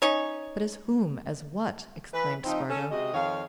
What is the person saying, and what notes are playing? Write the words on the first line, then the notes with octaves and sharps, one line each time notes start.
"But as whom--as what?" exclaimed Spargo.
C#4 D#4 C#5
E3 B4
F3 C4 D#4
C#4 A4
C3 G#3 F#4 D#5
F2 D#3 C#5 F5